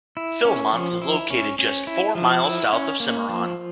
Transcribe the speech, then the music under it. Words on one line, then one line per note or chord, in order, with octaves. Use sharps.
Philmont is located just four miles south of Cimarron.
E4
C#4
F3
E4
C#4
C#4
E4
F3
E4
C#4
A#3
F3